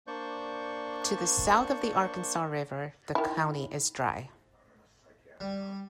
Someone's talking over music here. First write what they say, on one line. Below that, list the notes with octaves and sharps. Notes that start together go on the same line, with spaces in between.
To the south of the Arkansas River, the county is dry.
A#3 D4 C5 D5 C#6 G6
D#3 E4
G3